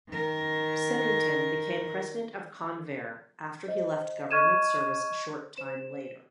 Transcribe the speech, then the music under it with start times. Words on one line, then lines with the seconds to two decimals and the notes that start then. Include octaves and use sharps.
Symington became president of Convair after he left government service a short time later.
0.10 D#3 A#4
3.68 C5 D#5
4.31 D#5 C#6 F6 G#6 D#7 E7
5.58 C5 E7